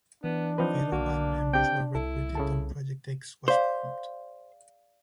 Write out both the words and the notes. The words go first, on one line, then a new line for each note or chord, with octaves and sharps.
Fellow band members were recruited and Project X was formed.
E3 B3 D4
F3 C4 D#4 B4
B1 A#3 F#4
C4 G4 G5
C2 E4 A4
C#3 A4 A5
G#4 C5 D5 F5